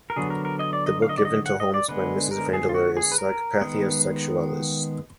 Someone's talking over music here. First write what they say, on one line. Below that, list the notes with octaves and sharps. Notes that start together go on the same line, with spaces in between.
The book given to Holmes by Mrs Vandeleur is "Psychopathia Sexualis".
A#4
D3 F#3 B3 G#4
A#4
A#4
D#5
D5
D#5
F5
D#5
D5
D#5
F#5
D#5
D5
D3 G#3 B3 B4
A#4
G#4
F4
F#4
G#4
B4
A#4
D#3 G#3 B3